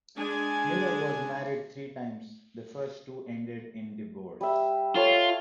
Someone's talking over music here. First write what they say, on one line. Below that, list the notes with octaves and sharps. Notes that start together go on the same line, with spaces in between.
Miller was married three times, the first two ended in divorce.
G#3 D4 G#5
G3 E5
F4 A4 C#5